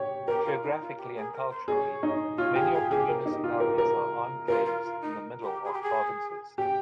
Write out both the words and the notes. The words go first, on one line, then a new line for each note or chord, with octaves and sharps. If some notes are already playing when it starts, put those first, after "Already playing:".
Geographically and culturally, many of the municipalities are enclaves in the middle of provinces.
Already playing: G4 C#5
G4 A#4
F4
D#4
F4
G4
G#4
A#4
C5
G#4 C#5 D#5
D#4
F4 C#5
G4 G#4
G#4
G4 G#4
A#4
D#4
F4
A#4
A#4
F4 A#4
F4
F4
D#4
G4
G#4
G4
G#4
G4 G5